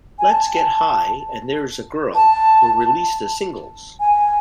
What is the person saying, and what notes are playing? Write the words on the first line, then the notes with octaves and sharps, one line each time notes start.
"Let's Get High" and "There is a Girl" were released as singles.
G#5
A5
A5
G#5